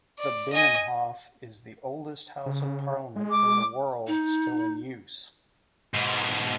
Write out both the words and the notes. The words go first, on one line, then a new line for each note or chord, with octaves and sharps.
The Binnenhof is the oldest House of Parliament in the world still in use.
D5
D#5 G#5
C#3
G#3
D6
D#4
G#2 B2